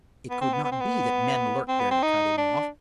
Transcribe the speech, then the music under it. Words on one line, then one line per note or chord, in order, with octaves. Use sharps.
It could not be that men lurked there to cut him off.
B3
C4
B3
B3
C4
B3
C4
B3
C4
D#4
D4